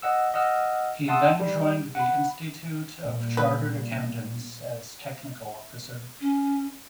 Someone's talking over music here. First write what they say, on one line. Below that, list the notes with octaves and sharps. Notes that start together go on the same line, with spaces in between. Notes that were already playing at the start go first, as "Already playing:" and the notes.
He then joined the Institute of Chartered Accountants as Technical Officer.
D#5 F#5 E6
D#5 F#5 E6 F6
E5 F#5 A5 C6 D#6 E6
G3
F#5 B5
A#2 G3
B4
C#4